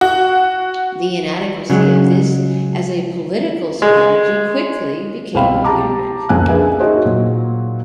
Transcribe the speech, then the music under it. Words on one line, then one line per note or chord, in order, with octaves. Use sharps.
The inadequacy of this as a political strategy quickly became apparent.
F#4
C#3 F#3 G#3
G#3
C2 B2 C4 F5 G5 B5
G4 A5 A#5 D6
C2 F2 C#3 A#3 G#5 F#6
A#3 D4 G#4 B4 E5 G#5
D#4 F#4 G#4 C5 C#5 D#5
A#2 F#3